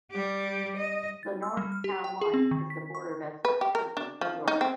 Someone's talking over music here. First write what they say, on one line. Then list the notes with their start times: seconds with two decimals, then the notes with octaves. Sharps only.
The north town line is the border of Essex County, New York.
0.11 G3 G4
0.77 D#5
1.23 A6
1.43 E6
1.57 G3
1.72 F6
1.84 G4
2.04 G5
2.21 G#4
2.34 C4
2.51 D#3
2.70 B6
2.95 C#6
3.45 B4
3.61 G4
3.75 A#4
3.97 D4
4.21 F3
4.48 D#4
4.61 C4